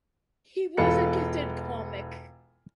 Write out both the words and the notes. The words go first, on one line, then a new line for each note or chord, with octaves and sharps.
He was a gifted comic.
E1 E3 F4 A4 B4 C#7